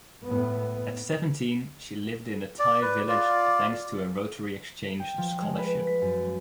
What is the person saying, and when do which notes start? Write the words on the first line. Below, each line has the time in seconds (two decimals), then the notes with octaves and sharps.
At seventeen, she lived in a Thai village thanks to a Rotary exchange scholarship.
0.25 A2 B3
2.59 D5
2.82 B4
3.08 F4 D5
5.00 G5
5.18 F3
5.42 G#3
5.59 B4
5.87 B6
6.02 F#2